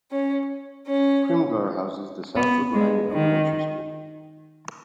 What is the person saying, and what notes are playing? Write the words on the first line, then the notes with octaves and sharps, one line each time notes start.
Primghar houses the South O'Brien Elementary School.
C#4
C#4
B3
G#3
D#3